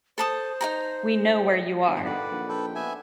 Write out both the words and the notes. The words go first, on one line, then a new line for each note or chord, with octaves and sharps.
We know where you are.
A4 C5 A5 D#6
D#4 G#4 A#5
G1
D3 D#3 D4 B4 D5 F#5
A#1
A4 B4 C5 G5
B3 D4 E5 G#5